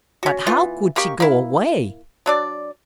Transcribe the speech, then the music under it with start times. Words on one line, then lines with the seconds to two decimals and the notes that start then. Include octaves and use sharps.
But how could he go away?
0.23 C#4 F#4
0.47 E3 B3 F4
0.96 A#3 D#4 G4 C#6
1.20 A#3 E4
2.26 F#3 D4 D5